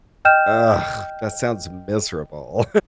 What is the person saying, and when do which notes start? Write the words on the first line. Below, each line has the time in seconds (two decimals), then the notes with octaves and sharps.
Ugh! That sounds miserable.
0.25 D#5 G5 F6 G6 E7